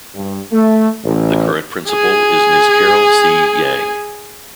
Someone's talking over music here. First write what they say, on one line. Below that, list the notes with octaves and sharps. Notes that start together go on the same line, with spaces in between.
The current principal is Ms. Carol C. Yang.
G2
A3
A1
G#4 G#5